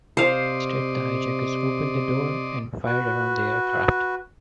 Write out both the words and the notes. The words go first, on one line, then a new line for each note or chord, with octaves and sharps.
Instead, the hijackers opened the door and fired around the aircraft.
C3 C5 D5 D#5 F5 C6
F#4 B4